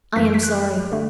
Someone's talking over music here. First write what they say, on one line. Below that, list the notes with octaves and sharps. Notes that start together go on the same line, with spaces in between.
I am sorry.
F#2 E3 A3 B6
D7
B6
F#6
D3 A3